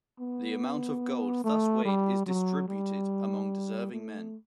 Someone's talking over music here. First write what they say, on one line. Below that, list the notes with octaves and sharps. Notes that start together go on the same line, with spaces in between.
The amount of gold thus weighed is distributed among deserving men.
B3
A3
G3
F#3
G3
A3